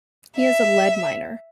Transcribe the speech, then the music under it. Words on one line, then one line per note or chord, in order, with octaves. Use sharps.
He is a lead miner.
E5